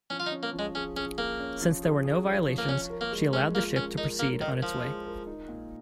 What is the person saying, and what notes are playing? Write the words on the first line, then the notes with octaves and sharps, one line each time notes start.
Since there were no violations, she allowed the ship to proceed on its way.
F3 C#4
F4
D#4
C#4
A#3
F3
G#3
C#4 G#4
C#4 G#4
A#3 G#4
C#4
F3
G#4
G#4
C#5
F3
A#3
C#4 C#5
A#4
A#3
G#3
G#3 C#4
A#3 F4
C#4 A#4
D#4 A#4
A#3 A#4
D#3 A#4
F3 F4
G#3
A#4
D#4
A#2